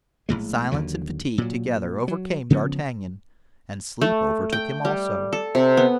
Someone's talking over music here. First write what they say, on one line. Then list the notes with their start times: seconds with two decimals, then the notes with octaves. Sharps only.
Silence and fatigue together overcame D'Artagnan and sleep overtook him also.
0.29 A#1 E2 A2 G#3
0.71 D#2 D3 F#3
1.38 A#2 F#3
2.08 F#3
2.50 C#3 F3 B3 C#4
4.01 A3
4.52 G5
4.85 G3
5.33 A4
5.55 C3
5.77 B3